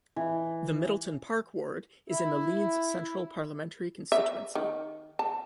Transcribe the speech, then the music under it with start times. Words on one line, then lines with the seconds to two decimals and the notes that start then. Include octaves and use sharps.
The Middleton Park ward is in the Leeds Central parliamentary constituency.
0.16 E3
2.09 E4
4.12 E5
4.55 D#3
5.19 A5